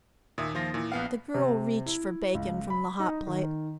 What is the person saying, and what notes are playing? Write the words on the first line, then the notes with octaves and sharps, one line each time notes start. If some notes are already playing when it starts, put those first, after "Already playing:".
The girl reached for bacon from the hot plate.
D#2 A#2 E5 D#6 G#6
F3 F4 A#6
A#2 E3
A#1 B3 F5 F#5
C3
E4
C#2
B5
D#4
D#3